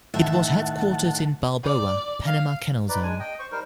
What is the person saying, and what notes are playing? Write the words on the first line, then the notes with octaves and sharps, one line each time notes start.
It was headquartered in Balboa, Panama Canal Zone.
A2 D#3 E5 F#5 A5
D5
F5
D#4 B4 D5
G#3 D4 G#5
D#5 G5
C5 C#6
G3 D#4 A#4 C5